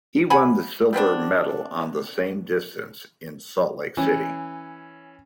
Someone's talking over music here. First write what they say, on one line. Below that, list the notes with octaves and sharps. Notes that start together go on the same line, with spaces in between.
He won the silver medal on that same distance in Salt Lake City.
F#5 G#5 B5
G3 B3 C4 D4
E3 C#4